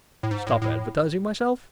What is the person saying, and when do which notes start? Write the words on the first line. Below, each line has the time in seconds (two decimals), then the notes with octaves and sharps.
Stop advertising myself!
0.23 A2
0.31 G#2
0.47 A2
0.62 A2